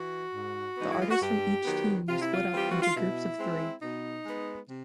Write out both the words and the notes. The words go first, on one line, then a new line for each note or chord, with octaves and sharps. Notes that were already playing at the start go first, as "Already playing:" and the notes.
The artists from each team were split up into groups of three.
Already playing: E3 F#4
G#2
E3 G#3 B3 D#4
E4
F4
F#4
G2 G4
D#3 F#3 B3
C3 F4
E4
F4
E3 G3 C4 G4
F#4
F4
B2 E4
G#3 C4
B2 D#4
G#3 B3
C3